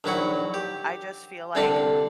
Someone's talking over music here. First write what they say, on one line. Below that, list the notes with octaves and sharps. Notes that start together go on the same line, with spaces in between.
I just feel like
A#1 D#3 F#3 E4 F#4 F#5
G4
C2 D3 C4 D4 F5 F#5